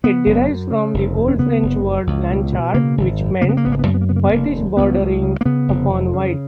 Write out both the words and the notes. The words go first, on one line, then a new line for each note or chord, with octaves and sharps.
It derives from the Old French word "blanchart" which meant "whitish, bordering upon white".
C#3 B3
F#1
F#2
C#3
F1
D#2
C#4
C#3 B3
F#1
F#2
C#2
B2
B2
C#3 A#3
G#1
F#2
C#3 A#3
B3
A#3
G#1 B3
A#3
B3
F#2 A#3
B3
A#3
C#3 B3
A#3
B3
F1 A#3
D#2
C#2 B3
C#3
C#3
A#3
C#3 B3
F1
F2
C#3